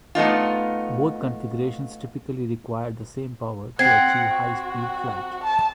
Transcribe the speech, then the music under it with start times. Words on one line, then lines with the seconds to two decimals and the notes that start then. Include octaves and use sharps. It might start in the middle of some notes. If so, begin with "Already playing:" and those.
Both configurations typically require the same power to achieve high speed flight.
0.15 A3 B3 D#4 F4
3.79 C4 F#5 G#6 C7
4.32 F#4
5.43 A5